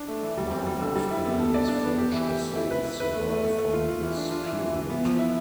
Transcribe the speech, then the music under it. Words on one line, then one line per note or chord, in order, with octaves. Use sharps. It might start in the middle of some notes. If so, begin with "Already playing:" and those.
Nine of Emily's French essays survive from this period.
Already playing: D4
A3
E3
G3
C4
G3
D3
G3
E4
B3
A4
D5
D4
B3
G4
E3
G4
A3
E4
B4
E4
B4
A3
A3
A3
A3
F4
F4
E3
D4
F4
E3
E3
E3
B3
F3
E4